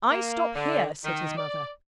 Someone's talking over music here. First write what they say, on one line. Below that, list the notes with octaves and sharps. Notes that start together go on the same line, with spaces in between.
'I stop here!' said his mother.
A#3
D3
D#3
D5